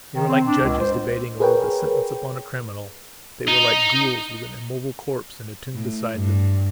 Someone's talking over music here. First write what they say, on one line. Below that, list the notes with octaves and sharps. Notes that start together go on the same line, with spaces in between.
They were like judges debating over the sentence upon a criminal; they were like ghouls with an immobile corpse in a tomb beside them.
D#3
C4
D4
C#2
C5
G#4 A#4 B4 C#5 G5
D#4
A2
G2